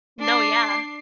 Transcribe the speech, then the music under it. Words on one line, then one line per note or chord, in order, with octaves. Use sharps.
No, yeah.
D4 C7